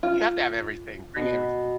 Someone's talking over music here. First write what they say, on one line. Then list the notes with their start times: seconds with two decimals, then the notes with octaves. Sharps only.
You have to have everything, bring everything.
0.03 F4
1.16 B2